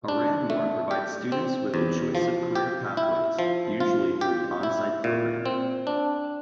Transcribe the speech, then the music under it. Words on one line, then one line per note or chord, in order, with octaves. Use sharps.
Aranmore provides students with a choice of career pathways, usually through the OnSite program.
D4
A3
G4
C4
E2
F3
G4
E4
F3
F4
G4
E4
A#2
C4
D4